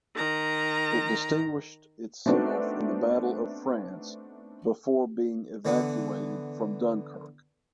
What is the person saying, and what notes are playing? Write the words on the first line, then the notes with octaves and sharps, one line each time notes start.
It distinguished itself in the Battle of France before being evacuated from Dunkirk.
D#3 A#5
A3 B3 C4 D4 D#4 F#4
D3 E3 B3